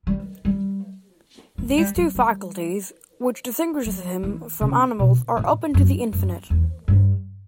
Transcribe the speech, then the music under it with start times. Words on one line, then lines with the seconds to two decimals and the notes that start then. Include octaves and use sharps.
These two faculties, which distinguishes him from animals, are open to the infinite.
0.07 G3
0.45 G3
1.58 E3
1.69 A3
1.78 G3
1.96 F#3
2.15 G3
3.85 F#3
4.23 E3
4.61 C#3
4.99 B2
5.37 A2
5.74 F#2
6.13 F#2
6.50 E2
6.88 G2